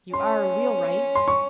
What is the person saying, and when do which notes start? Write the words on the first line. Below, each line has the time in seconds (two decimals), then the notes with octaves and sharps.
"You are a wheelwright?"
0.13 C#4 C6
1.15 C6
1.28 C#6